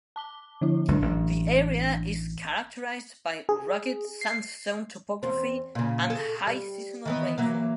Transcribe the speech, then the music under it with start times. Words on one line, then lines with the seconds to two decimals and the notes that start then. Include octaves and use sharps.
The area is characterised by rugged sandstone topography and high seasonal rainfall.
0.16 A5 D6 G7
0.61 D3 F3 E4
0.88 C#2 A2 F#3 D4
1.02 A1
3.49 G#4
4.21 C7
5.23 E2 C4
5.75 A#2 C#3
6.10 G#4 A4
6.47 G3
7.05 D#3 E3 B3
7.38 E3 F#3 A#3